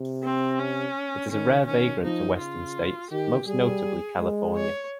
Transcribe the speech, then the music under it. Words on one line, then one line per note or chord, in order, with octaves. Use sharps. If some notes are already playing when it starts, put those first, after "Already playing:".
It is a rare vagrant to western states, most notably California.
Already playing: C3
C4
C#4
D#3 C#4
D#3 C#4
F3 D#4
C#3 F4
D#3 G4
G3 G#4
G#3
C#5